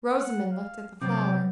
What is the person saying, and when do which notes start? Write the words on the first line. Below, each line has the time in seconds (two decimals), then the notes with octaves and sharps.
Rosamond looked at the flower.
0.17 F#5
0.52 F5
1.02 C3 F#3 G3 B3 C4 D6 G6